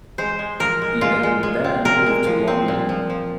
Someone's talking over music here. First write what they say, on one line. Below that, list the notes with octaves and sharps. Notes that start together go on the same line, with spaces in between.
The band then moved to London.
G#3 C5
G#3
F3 A#4
G#3
G#3 F4
G#3
G#3
C4
A#2 A#4
G#3
F3
C4
A#2
F3
F3